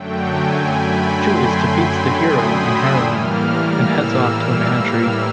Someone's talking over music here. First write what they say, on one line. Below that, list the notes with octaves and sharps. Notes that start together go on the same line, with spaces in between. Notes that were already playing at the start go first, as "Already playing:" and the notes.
Julius defeats the hero and heroine, and heads off to the Mana Tree.
Already playing: F#2 D3 F#3 A3 G5
G#5
B5
C6
D#6
E6
A2 E3 G3 A#3 F6
F6
E6